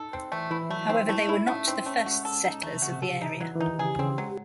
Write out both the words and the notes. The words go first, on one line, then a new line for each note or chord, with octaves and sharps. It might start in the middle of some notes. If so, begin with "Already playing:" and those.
However they were not the first settlers of the area.
Already playing: D#4 A4
C4
E3 A3
E3 E4
F#3 A3
C4 D#4
A3 E4
D#4 E4
A3 C#4
C4 D#4
A3 C#4
G#3 F#4
A4
D#4
E3 A3
C3
C#3 F#4
C3
A4
D#4
E3 F#3
E3
D#3 D#4
C#3 G#4
C#3 C4
F#3 G#3